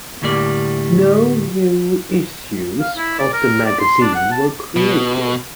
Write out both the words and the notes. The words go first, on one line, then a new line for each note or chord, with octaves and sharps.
No new issues of the magazine were created.
D2 A2 G3 A#3 D5
F5
E4
D5
A#4
D5
C6
D4
F#5
A5
B2